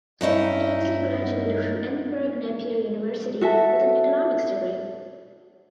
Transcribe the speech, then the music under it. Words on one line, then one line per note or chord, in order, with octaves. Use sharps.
Ainslie graduated from Edinburgh Napier University with an economics degree.
G2 C#4 D#4 E4
F#4 A4 E5 A5